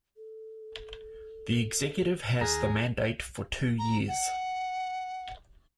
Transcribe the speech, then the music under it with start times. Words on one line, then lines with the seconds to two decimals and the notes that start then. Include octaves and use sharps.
The executive has the mandate for two years.
0.17 A4
2.41 D#2 G#4 A#5
3.79 A#5
4.08 F#5